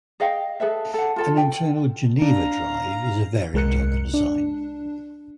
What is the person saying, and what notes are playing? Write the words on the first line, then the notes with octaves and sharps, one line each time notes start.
An internal Geneva drive is a variant on the design.
G#4 D#5 F5 G5
G#4 A4 B4 E5
A4 F#5
F4 A4 A5
G5
D4 F5 A#5
C2 G#3 A#4 F#6 C#7
D4